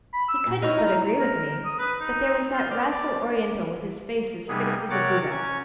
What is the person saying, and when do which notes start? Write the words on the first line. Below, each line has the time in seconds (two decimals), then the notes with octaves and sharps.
He couldn't but agree with me, but there was that wrathful Oriental with his face as fixed as a Buddha.
0.13 B5
0.28 E6
0.46 A#2
0.62 D#4 E4 C#5 F6
0.78 A#5
1.19 A#4
1.65 D#6
1.79 B4
2.00 D#4
2.53 F4
2.71 D5
2.89 D5
4.49 C3 G3 A#3 B3 D#4 G#4
4.90 C3 A#4 C#5 F#5 D6 A6
5.31 C#4 G#6